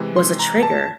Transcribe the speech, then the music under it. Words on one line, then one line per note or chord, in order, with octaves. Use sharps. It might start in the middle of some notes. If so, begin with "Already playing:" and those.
was a trigger."
Already playing: C3 E3 G#3
C6
A#5
A5